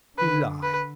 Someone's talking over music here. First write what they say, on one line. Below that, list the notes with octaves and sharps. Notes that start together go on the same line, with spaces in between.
"You lie!"
D3 B4
B4